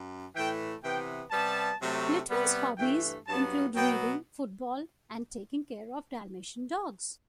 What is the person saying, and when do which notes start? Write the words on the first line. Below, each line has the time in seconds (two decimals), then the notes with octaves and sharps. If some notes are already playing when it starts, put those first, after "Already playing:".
Lytvyn's hobbies include reading, football, and taking care of dalmatian dogs.
Already playing: F#2
0.34 A2 E3 A3 G5
0.83 C3 E3 B3 G5
1.31 C3 G3 B3 A5
1.81 C3 F#3 A3
2.29 C3 G3 B3
2.78 G2 E3 A3 G5
3.27 G2 F#3 B3 A5
3.75 B2 F#3 B3 G5